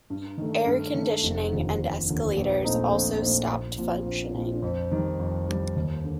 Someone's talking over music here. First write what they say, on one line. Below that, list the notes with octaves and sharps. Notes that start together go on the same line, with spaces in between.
Air-conditioning and escalators also stopped functioning.
G2
D#3 A3
G2
D#3 A3
F1
D#2 D3 F3
F1
D#2 D3 F3
A#1
A#2 A3 C4 D#4
A#1
A#2 A3 C4 D#4
A#1
A#2 F3 C4 F4
A#1
A#2 F3 C4 F4
F2
D#3 G3
F2
D#3 G3
D#2
D3